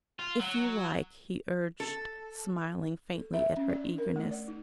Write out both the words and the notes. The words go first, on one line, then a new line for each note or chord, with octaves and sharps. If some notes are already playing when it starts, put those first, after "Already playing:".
'If you like,' he urged, smiling faintly at her eagerness.
F4
F#3
A4
A4
E5
C#4
D5
D4
A#4
A3
D5
D#4